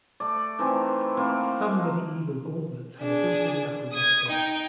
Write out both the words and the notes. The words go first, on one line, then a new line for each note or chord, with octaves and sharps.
Some medieval gauntlets had a built-in knuckle duster.
A3 D5
D#3 E3 A3 C4
A3 A#3 C4 E4
D4 G#4
D#6 G#6
D#4 G5